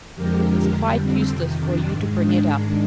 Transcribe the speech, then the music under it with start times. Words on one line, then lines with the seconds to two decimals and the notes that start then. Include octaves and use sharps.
It's quite useless for you to bring it up.
0.16 F2 D3 F3 G#3 G4 A#4
0.74 F2 D3 G3 D4
1.02 C4
1.31 F2 C3 D#3
1.60 D4
1.88 G#2 D#3 G#3
2.17 D4
2.45 G#2 D#3 G#3 D4